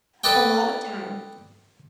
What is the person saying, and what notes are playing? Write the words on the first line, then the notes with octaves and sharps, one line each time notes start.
A lot of time.
A4 B4 D5 D#5 G5